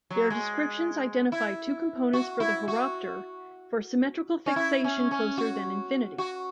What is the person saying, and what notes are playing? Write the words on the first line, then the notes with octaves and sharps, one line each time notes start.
Their descriptions identified two components for the horopter for symmetrical fixation closer than infinity.
F#3
G#3
E4
F#4
E4
F#4
C#4
E4
C#4
C#4
F#4
F#4